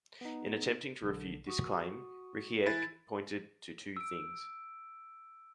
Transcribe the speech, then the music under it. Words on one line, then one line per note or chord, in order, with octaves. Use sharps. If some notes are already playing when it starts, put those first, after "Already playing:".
In attempting to refute this claim, Ricicek pointed to two things.
B3 D#4
B1 D3
F#4 C#6 D#6
E3 E4 G#5 F#6 A6
E6 D7